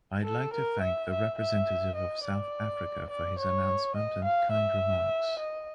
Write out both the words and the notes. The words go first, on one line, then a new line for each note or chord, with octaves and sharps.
I'd like to thank the representative of South Africa for his announcement and kind remarks.
A4
A#4
E5
E5
E5
D#5
D5
D5
C#5
D#5
F5
E5
D#5